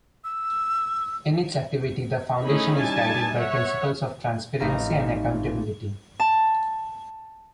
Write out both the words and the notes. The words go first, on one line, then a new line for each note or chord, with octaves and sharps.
In its activity, the Foundation is guided by principles of transparency and accountability.
E6
A3 C#4 D#4 E4 G#4 B5
G3 D#4 G#5 A5
C#5 E5 F#5
A1 C4 D#4 F5 A#5
A5